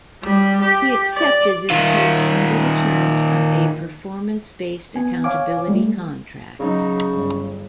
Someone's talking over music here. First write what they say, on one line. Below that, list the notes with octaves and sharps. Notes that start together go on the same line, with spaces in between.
He accepted this post under the terms of a performance-based accountability contract.
G3
G4
D5
D#3 F4
B3 G#5
C#5 F5 G#5 D6
G3 A3
C#3 F#3 D#4
G1